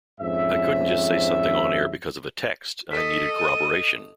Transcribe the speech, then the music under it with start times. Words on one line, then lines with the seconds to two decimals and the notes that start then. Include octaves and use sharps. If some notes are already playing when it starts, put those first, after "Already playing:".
I couldn't just say something on-air because of a text, I needed corroboration.
0.20 F2 G#2 C#4 E5
2.91 A4 D#5 B6
3.38 D#7